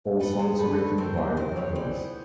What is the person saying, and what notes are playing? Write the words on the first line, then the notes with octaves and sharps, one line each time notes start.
All songs written by Vangelis.
B3 A4 B4
G#3
D3 A4 B4
A3
C4 A#4 C5
A3
D#3 A#4 C5
C4 B4 C#5
E3 C5 D5
B3